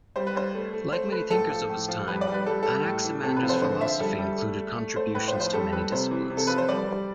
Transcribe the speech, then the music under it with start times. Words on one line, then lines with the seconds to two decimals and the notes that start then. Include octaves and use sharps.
Like many thinkers of his time, Anaximander's philosophy included contributions to many disciplines.
0.16 G3 C5
0.27 B4
0.35 G3 C5
0.54 A3
0.73 A3
0.92 A3 C5
1.11 A3 B4
1.30 A2 A4
1.50 F3
1.69 A2
1.88 F3
2.08 G3 B4
2.21 D5
2.27 G3
2.34 B4
2.46 G3 A4
2.63 G3 A4
2.85 A2
3.04 E3
3.23 C3 A4
3.36 B4
3.43 F3
3.49 C5
3.56 B4
3.61 D3 C5
3.81 F3 E5
3.99 G3 A4
4.19 G3
4.38 A3
4.57 A3
4.76 A3
4.96 A3 C5
5.14 A2 B4
5.28 C5
5.34 F3
5.40 C5
5.53 G3 A4
5.72 G3 B4
5.92 C3 C5
6.11 E3
6.30 C3
6.37 A4
6.47 F3 B4
6.58 C5
6.68 G3 D5
6.88 G3